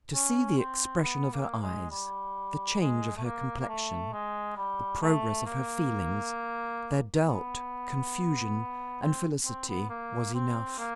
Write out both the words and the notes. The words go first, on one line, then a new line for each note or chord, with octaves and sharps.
To see the expression of her eyes, the change of her complexion, the progress of her feelings, their doubt, confusion, and felicity, was enough.
C#4
C4
B3
A#3
G#3
G3
G#3
A3
A#3
A#3
A3
G#3
G3
A3
A#3
B3
C4
C4
B3
A#3
C4
A#3